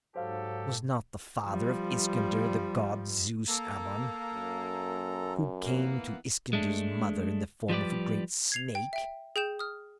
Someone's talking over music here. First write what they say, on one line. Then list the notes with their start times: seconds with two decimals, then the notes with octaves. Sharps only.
Was not the father of Iskander the god Zeus Ammon, who came to Iskander's mother in the form of a great snake?
0.16 G#2 F#3 G4 A4 C5 F5
1.46 F3 G3
3.48 A#3 A4 A#5
4.33 F#2
5.66 E3 A#3 B3
6.53 G#3 A3 D4
7.69 F3 G3 B4 D5
8.52 G#6 C7 F7
8.75 G5
8.93 E5 G5
9.36 G#4 G5 G6 E7
9.59 D#6 F6